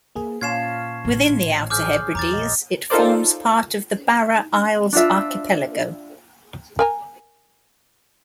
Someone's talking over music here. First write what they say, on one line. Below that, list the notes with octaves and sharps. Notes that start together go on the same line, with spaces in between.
Within the Outer Hebrides, it forms part of the Barra Isles archipelago.
A#3 G#4
A#2 F3 C#4 F4 G#6 C7 E7
A1 D3
G#4 D6 F6 G6
E2 A#5 D6 A6
A#1 D#5
D#4 F4 A4 A#4 C5 D5
D4 F4 E5
A#4 G#5 A#5